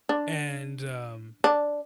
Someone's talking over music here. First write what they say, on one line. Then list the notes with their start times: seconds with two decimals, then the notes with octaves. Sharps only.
and, um,
0.09 D4
1.44 D4